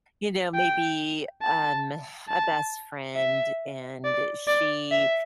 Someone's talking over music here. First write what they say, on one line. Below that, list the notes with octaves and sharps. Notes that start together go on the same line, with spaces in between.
you know, maybe, um, a best friend, and she,
G5
A5
A5
E5
D5
D5
E5